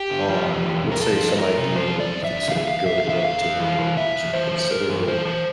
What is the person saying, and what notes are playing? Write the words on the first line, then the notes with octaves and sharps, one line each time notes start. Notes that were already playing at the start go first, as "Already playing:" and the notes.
on, let's say, some idea of what we consider good or relatively good, and it was a considerable
Already playing: G4
D3
F3
E2
E2
C3
A#4
F3 A4
E2
E2 A#4
C3
F3 C5
E2
D5
E2
E5
D3
F3 F5
E5
E2 F5
E2 E5
F5
D3
E5
F2 F5
F2
E3
E3
F2 E5
F2
E3 C5
E3
G2 A#4
G2
E3 C5
E3